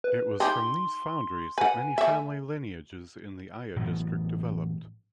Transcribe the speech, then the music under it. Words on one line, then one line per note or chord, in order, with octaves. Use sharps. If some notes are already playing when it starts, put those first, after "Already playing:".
It was from these foundries that many family lineages in the Aia district developed.
B4
D#4 G4 G#4 C6
B4 F#5 G#5
A3 E5
A2 E3 F#3 B3